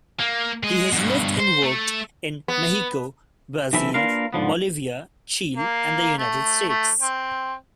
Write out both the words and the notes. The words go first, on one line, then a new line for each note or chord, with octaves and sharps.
He has lived and worked in Mexico, Brazil, Bolivia, Chile and the United States.
A#3
G#3 D#5
G2 B2
C5
A3
B3
B1 E3 C4 E4 A4 E5
A#3 D4 F4 A#4 B4 F5
G#2 D3 F3 B3
A#3
A3
A3
C4